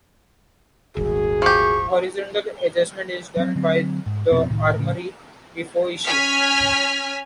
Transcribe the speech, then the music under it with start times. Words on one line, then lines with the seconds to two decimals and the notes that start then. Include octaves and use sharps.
Horizontal adjustment is done by the armory before issue.
0.97 D#1 G#1 F#2 F#4 G#4
1.42 F3 G4 C#6
3.37 F#3 C4
3.55 D3 F#3 C4
4.06 G#2
4.31 F1 B2 F3 C4
4.50 C2 A2 D#3
4.76 A2 C#3
6.07 C#4 G#5 F6 B6